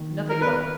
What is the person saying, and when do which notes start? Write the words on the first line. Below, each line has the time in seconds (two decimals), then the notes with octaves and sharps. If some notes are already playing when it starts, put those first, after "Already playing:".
"Nothing at all."
Already playing: D#3 A#3
0.29 A#4
0.41 B3 B4